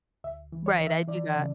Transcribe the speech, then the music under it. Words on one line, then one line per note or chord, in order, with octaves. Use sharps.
Right, I do that.
D2 E5
E3
C#5
E3
E5
E3 D5
C#3